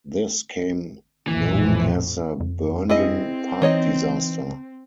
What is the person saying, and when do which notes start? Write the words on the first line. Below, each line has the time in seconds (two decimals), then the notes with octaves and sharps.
This came known as the Burnden Park disaster.
1.27 A#1 F2 A2 E3
2.40 F2
2.90 C4 E4 G#4 D#5
3.62 E3 D#4 C#5 D#5